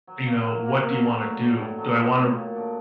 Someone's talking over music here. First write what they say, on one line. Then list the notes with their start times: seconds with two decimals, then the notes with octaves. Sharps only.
you know, what do you wanna do? Do I wanna
0.07 F#3
0.26 A#3 F#4
0.45 F#3
0.64 A#3 F#4
0.83 F#3
1.02 A3 D4
1.21 F#3
1.41 A3 D4
1.59 A2
1.78 F#3 A3 D#4
1.98 A2
2.16 F#3 A3 D#4
2.35 A#2
2.54 A3 D4 F#4